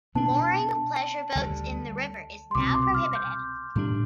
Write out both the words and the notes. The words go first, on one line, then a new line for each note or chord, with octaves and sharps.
Mooring of pleasure boats in the river is now prohibited.
B2 B3 D4 A5
D2 D3 G3
C6
C2 B2 G3 C4 D6
D6
F6
G6
A2 G3 D4